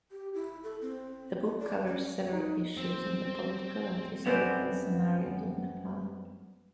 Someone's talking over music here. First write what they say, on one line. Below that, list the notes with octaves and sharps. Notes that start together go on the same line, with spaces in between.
The book covers several issues in the political and historical scenarios of Nepal.
G4
E4
A4
C4
D#5
D5
C#4
D#4
C4
F#2 B3 C4 D#4 C5 D5